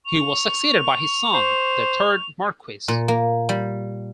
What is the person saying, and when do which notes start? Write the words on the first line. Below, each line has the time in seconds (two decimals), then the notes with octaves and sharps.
He was succeeded by his son, the third Marquess.
0.06 C#6 F7
1.34 C5
2.88 A#2
3.08 A#3
3.49 G3